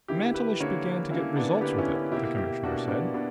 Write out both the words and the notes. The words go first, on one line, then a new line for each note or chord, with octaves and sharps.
"Mantelish began to get results with it," the Commissioner said.
D3 A#3 E4 G4
G4 B4
D3 A#3 A#4 C#5
D3 A#3 C#4 E4
B3 D4
D3 A#3 G4 B4
C#4 E4
C#4
B2 A#3 E4 G4
E4 G4
B2 A#3 D4 F#4
B3 D4
B2 B3 D4